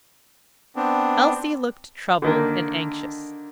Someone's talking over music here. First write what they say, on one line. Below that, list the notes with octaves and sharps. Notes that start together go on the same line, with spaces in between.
Elsie looked troubled and anxious.
B3 C4 D4
D3 D#3 A#3